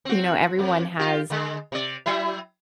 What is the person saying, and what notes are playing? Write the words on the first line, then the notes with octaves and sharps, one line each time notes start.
you know, everyone has
C4 F#4
F2
F4 G4
D3 G#3
C3 D5
F#3 E4 E5